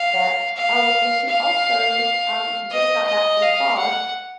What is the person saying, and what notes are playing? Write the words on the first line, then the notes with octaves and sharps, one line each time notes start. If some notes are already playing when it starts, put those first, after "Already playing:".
that. Um, and she also, um, just got back from Prague,
Already playing: F5
F5
F5
D#5
D#5
F5
F#5